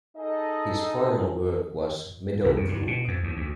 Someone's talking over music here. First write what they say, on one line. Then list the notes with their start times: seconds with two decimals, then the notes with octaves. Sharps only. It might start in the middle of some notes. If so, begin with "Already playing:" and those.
His final work was "Meadow Brook".
0.17 D#4 G#4 A4 D#5
2.44 C2
2.56 F#2
2.68 G2
2.87 B2
3.08 F2
3.23 D#2
3.37 D2